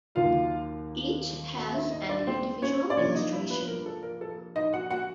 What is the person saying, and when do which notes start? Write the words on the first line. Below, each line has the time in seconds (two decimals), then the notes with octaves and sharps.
Each has an individual illustration.
0.15 D#2 D#3 F#3 A#3 F4 F5
1.56 F#4 F#5
1.74 E4 E5
1.91 D#4 D#5
2.09 D4 D5
2.27 C4 C5
2.62 C#4 C#5
2.90 D5
2.97 F2 C3 F3 A#3 C#4 D4 C#5
3.15 D#4 D#5
3.32 E4 E5
3.50 B3 B4
3.68 A#4
3.86 A4
4.03 A#4
4.21 A4
4.56 D#4 D#5
4.73 F#4 F#5
4.91 F#4 F#5